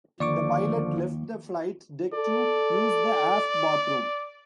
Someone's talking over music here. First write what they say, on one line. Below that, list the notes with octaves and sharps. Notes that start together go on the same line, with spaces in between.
The pilot left the flight deck to use the aft bathroom.
D#2 D3 F3 D5 C#6 D6
A4 D5